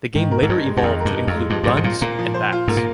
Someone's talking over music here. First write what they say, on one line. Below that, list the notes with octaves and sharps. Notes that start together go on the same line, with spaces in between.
The game later evolved to include runs and bats.
G#2 D#3
A#4
G#2
G2 D#4
G#3
G2
F2 D#3
A#4
G2
D#4
F2
G#3
G2 F3
G2
G#2 C5
C3
A#2 F4
A#2 A#3
F3
C5
F4
G#2 A#3
A#2